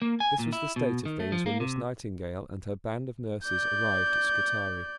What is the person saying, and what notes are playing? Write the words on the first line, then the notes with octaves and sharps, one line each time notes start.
This was the state of things when Miss Nightingale and her band of nurses arrived at Scutari.
A#3
G#5
A#2
E4
B2
D#3
A3
F3
A#3
C3
D5 G6